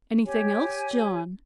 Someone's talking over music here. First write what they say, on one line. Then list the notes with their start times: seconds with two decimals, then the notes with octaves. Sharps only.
"Anything else, John?"
0.24 G4 C#5 G#5